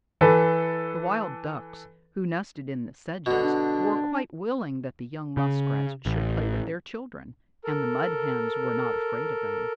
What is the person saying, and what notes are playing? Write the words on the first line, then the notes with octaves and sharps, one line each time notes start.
The Wild Ducks who nested in the sedges, were quite willing that the young Muskrats should play with their children, and the Mud Hens were not afraid of them.
E3 A4 B4
B2 D3
D4
C#3
A1
A4 A#4